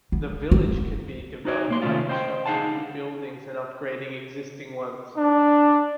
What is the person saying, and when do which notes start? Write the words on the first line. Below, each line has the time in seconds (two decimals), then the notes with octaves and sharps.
The village can be developed by constructing new buildings and upgrading existing ones.
0.12 B3
0.51 E4
1.45 D#4 F#4 C#5 D5
1.68 B1 A#3 C6
1.82 C3 D#3 A3 C#4 F4
2.09 C5 D#5 G5 B5 C6
2.46 D#4 G#4 F5 F#5 A5
5.17 D4